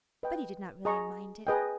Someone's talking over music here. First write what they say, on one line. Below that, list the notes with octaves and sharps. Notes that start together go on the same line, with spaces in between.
But he did not really mind it.
B4 D#5 G5
G#4 D#5 A#5 C#6
G#4 B4 D#5 G5